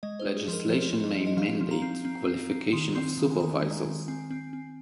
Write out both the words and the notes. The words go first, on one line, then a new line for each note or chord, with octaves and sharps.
Legislation may mandate qualifications of supervisors.
G#3 D#5
C5
G#3
G#4
F3
A#4
F3 C5
F3
D#5
F3
D#5
F3 F5
F3
A#5
C4
C4
C4
C4
D#3 C6
C4 C6
D#3
G#5
D#3 A#5
G#3
D#3
C4 G#5
C4
C4